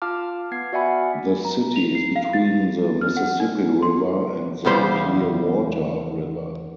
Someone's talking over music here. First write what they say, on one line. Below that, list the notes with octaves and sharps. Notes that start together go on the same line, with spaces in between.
The city is between the Mississippi River and the Clearwater River.
F4 F5 A5 D6 F6
B3 F6 G#6 C7
F#4 D5 E5 F#5 G#5 B5
G#5
A#5
F7
C7
F5
A6
F6
F#5
D#4
C6
E2 C#3 G3 C5